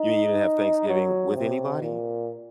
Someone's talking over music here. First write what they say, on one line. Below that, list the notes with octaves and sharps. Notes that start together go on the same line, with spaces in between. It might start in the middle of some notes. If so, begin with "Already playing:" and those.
You mean you didn't have Thanksgiving with anybody?
Already playing: D#4
F#3
C3
A#2